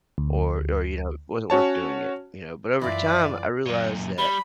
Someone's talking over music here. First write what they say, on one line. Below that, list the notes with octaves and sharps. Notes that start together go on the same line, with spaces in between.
or or, you know, it wasn't worth doing it, you know? But over time, I realized that,
D2
C#4 F#4 C#5 A5
F#2 E3 F4 D5 E5
F#2 A#2
G3 B5